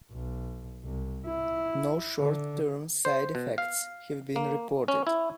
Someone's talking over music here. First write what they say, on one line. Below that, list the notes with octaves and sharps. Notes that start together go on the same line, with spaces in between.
No short-term side effects have been reported.
B1
C2
E4
D3
C5
B2
F5
A#3
C#4
E4